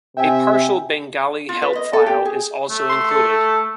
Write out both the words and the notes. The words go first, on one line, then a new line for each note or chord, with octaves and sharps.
A partial Bengali help file is also included.
C3 E5 G5 G#5
F4
B4
D#5
A4
G4
G#4
A3
C6
A4